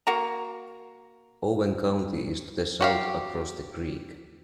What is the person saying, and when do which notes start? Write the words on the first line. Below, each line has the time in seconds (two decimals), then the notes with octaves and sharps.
Owen County is to the south across the creek.
0.07 A#3 F#4 A#5
2.81 F#4 G4 F5